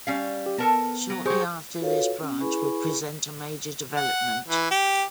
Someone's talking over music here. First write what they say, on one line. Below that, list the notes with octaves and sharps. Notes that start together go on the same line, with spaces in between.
Shortly after this branch would present a major development.
G3 C#4 F5
G4
B3 A4 A#4 A5
F#3
F#3 G4 G#4 C5 C#6
F4 F#4 A4 B4 C#5 F5
C#4
E4 G#4 B4 G#5 B5 C#6
F#5
E3
G4